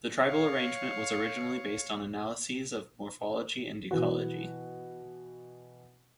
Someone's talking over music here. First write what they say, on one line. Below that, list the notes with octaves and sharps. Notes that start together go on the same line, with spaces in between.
The tribal arrangement was originally based on analyses of morphology and ecology.
C#5 F5
B2 E3 F#4